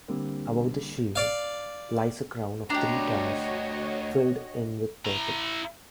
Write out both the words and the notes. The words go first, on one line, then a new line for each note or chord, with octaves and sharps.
Above the shield, lies a crown of three towers filled in with purple.
D3 G3 A#3 C4
D5 F5
D2 D4 F#4 G4 C#5 D#5 A#5
E4 A#5